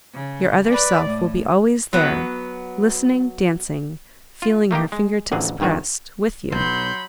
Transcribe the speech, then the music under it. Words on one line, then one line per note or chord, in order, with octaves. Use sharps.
Your other self will be always there--listening, dancing, feeling her finger-tips pressed--with you.
C#3
B4 D5
A2
F#3 B3
F4
A3 A#3 D#4 G4
G#3
A1 F2 D3 F#3 G#4
G#1 G2 D#3 F4 F#4
B1 F#3 B5 C6 G6